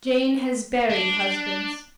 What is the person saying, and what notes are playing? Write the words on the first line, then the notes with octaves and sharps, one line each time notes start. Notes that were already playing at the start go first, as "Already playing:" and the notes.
Jane has buried husbands.
D4